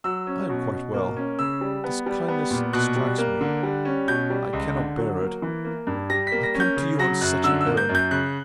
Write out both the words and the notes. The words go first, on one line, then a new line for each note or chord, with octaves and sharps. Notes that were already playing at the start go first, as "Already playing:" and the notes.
"I am quite well. This kindness distracts me--I cannot bear it--I come to you on such an errand!"
F#3 E6
C#4
B2
B2
A#3
C#4
C#3 E6
G3
B3
G3
B3
A#2
B2 F#6
G3
A#3
D3
G3
C#4
B2 G6
G3
C#2
D3
F#3
A#3
E3
A#3
G2
G3 A#6
B6
A#3
A#6
C#4
G6
C#3
F#3 A#6
F#2 F#6
D3 E6
E6
A#3
G6
F#2
G6
C#3 F#6